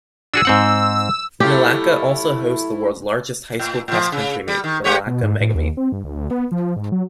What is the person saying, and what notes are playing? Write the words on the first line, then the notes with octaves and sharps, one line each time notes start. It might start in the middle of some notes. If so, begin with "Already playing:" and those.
Milaca also hosts the world's largest high school cross-country meet, The Milaca Mega-Meet.
D4 F#4 G#4 E6
G#2 C4 F#5
F#3 A3 E4 F4 G4
A2
A2 F3
C#3
G3
D#3
G#3 G4 C#5
B2
G#2
A2
D#2
C4
G2
D2
D2
B3
F3
G#2
F#3